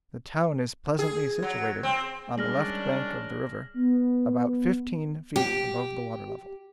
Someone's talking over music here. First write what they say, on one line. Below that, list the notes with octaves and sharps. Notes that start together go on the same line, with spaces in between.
The town is pleasantly situated on the left bank of the river, about fifteen feet above the water level.
G#4
F#3
C4
D#3 G3 G#3 C#4 D4 F6 A#6 F#7
B3
G4